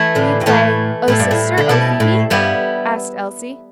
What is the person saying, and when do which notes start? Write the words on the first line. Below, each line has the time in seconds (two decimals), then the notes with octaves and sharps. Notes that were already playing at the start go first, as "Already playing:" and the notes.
"Will you play 'O sister, O Phebe?'" asked Elsie.
Already playing: E3 A3 E4
0.15 A2 D3
0.41 G2
0.46 A2 E3 A3 E4
1.08 A2 G3 E4 A4
1.19 G2
1.31 A2
1.58 D3
1.69 B2 G3 E4 A4
2.00 A2
2.30 G2 G3 B3 E4